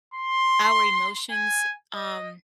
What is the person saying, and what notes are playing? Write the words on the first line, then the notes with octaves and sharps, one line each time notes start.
our emotions, um,
C6
G#5
D#5